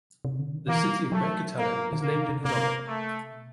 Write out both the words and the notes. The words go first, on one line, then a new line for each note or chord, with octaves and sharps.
The city of Pocatello is named in his honor.
C3
D3
D#3
E3 A#3
G3
F#3
F#3 A3
A#3
D#3
D3 A#3
C3
C3
C3 A#3
A3
B2